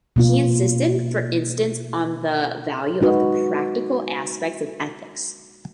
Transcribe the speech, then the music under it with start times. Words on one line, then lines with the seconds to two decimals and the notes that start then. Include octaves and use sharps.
He insisted, for instance, on the value of the practical aspects of ethics.
0.16 B2 A#3 F4
3.01 G#3 D#4 F#4 B4